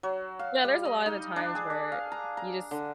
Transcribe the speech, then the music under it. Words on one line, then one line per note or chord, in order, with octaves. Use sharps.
Yeah, there's a lotta of the times where you just
F#3
F5
G3
D#5
D#4
D4
G#4
D5
F5
A#5
A#5
D3